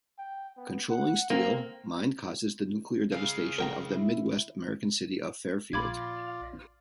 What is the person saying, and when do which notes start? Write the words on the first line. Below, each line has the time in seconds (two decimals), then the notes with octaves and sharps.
Controlling Steel, Mind causes the nuclear devastation of the midwest American city of Fairfield.
0.19 G5
0.57 B3
0.90 F#5
1.30 A#3 C4
3.12 C#3 G#3 F5
3.59 A#4 G5 A#5
3.94 E4
5.73 A#1 F4 D5 B5 D6 G#6